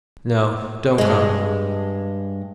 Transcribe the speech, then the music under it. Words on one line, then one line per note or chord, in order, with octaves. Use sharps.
"No. Don't come!"
G2 G#3